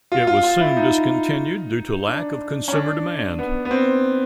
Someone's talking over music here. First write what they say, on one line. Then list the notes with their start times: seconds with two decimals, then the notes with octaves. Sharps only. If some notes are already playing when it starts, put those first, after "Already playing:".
It was soon discontinued due to lack of consumer demand.
0.12 F4
0.27 F4
0.44 F4
0.60 E4
0.77 D#4
2.08 D4
2.68 C#4
2.73 D4
3.39 B3
3.65 B3
3.71 C4